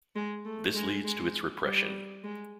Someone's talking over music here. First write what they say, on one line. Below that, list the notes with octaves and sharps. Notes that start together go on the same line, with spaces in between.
This leads to its repression.
G#3
A3
G#3
G#3
G3
G#3